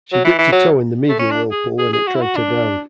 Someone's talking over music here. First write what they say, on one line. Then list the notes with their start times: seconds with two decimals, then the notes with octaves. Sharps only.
She dipped a toe in the media whirlpool and it dragged her down.
0.13 F#3
0.25 E3
0.38 E3
0.52 F#3
1.09 A3
1.19 C#4
1.31 D4
1.51 G#4
1.79 G#4
1.93 G#4
2.08 F#4
2.15 E4
2.21 F#4
2.36 D4